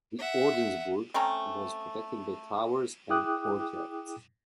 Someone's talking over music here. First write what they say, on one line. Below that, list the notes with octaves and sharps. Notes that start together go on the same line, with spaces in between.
The Ordensburg was protected by towers and courtyards.
E5 F#5
A3 C4 C#4 A#5
E4 G#4 G5 D6 D#6 F#6